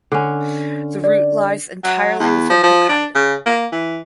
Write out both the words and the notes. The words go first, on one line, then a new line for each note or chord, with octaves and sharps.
The route lies entirely within Hokkaido.
D3 C#4
D5
F#3
E2
F3
F3
D4
C#3
A#3
E3